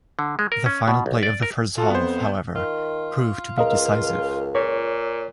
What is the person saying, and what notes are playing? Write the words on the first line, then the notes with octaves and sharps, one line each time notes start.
The final play of the first half, however, proved to be decisive.
D3
G#3
A#4
C#4
B2
B1
D5
A#4
F4 F#4 A4
F2 B3 C5
D#3 F4
C#2 A#4 D#5 F5
A#2 C#5